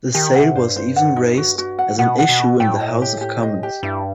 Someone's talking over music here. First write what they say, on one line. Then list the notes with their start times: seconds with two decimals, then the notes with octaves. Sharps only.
The sale was even raised as an issue in the House of Commons.
0.14 D#3 G4
0.35 C3 F#5
0.55 G2 C5
0.76 C5
0.96 F#5
1.16 D#4
1.37 F#4
1.58 F#4
1.79 F#5
1.99 B2 F#5
2.19 F#5
2.29 B2
2.40 F#4
2.60 A2 G5
2.80 D#5
3.02 G4
3.21 G4
3.43 D#5
3.63 G4
3.83 G2 E4